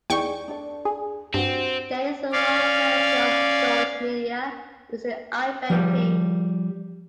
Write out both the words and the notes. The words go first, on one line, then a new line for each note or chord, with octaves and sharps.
There is a wide variety of storage media used in eye banking.
E2 D#4 G#4 D5 G5 C#6
D4 A4 D5
G#4
G2 C4 F#4 C5
C#4 D5 F5
F3 G3 G5